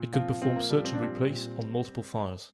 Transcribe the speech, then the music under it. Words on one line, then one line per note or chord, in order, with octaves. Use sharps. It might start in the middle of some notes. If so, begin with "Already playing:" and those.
It can perform search and replace on multiple files.
Already playing: A#2
F3 C4 F4
A#2 C4 F4
A#3
F3 G3
C4
D4
A#2 G3 C4
A#2